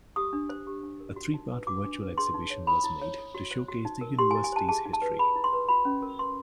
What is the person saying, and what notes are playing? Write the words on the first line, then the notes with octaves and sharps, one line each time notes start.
A three part virtual exhibition was made to showcase the university's history.
G4 D#6
D4
C5
G4
D4
A#4
F#4
D#4
B4
F#4 D6
D4
B4
G#4 C6
D#4
C#5
A4 B5
E4
C#5
A4
F#4
C5
F#4
D#4
A#4
G4 C6
G#5
E4
G#5
C5 A5
G#4 A5
D#4
A5
B4
G#4 B5
E4
C6
B4
F#4 B5
C#4
A#4
B4 C6